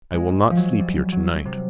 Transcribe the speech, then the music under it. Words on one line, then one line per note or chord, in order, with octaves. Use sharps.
I will not sleep here tonight.
G#3
F3
F#3
G3
F#3
C3